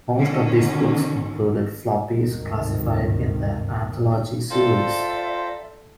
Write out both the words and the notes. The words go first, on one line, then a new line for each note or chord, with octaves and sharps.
Most of these books included floppies classified in the Anthology series.
B2 D3 D#3 C#4
G#1 D2 G2 C3 D#3
F4 A4 C5 D5 E5 G5 A#5